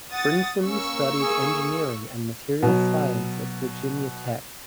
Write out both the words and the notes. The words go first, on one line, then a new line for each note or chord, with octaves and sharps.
Brinson studied engineering and materials science at Virginia Tech.
F#5 D#6 A6
A#3 C#4 C#6 E6
G#4
B2 F#3